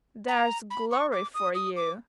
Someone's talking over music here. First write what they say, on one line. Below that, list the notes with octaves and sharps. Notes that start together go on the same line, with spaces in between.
There's glory for you!'
A#5
B5
C#6
D6
D#6
D#6
D6